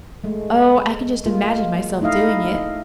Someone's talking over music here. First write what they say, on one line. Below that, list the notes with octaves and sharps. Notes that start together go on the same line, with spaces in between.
Oh, I can just imagine myself doing it.
G#3 A3
G#3 A#3 F4
A3 D#4 E4 D#5 F5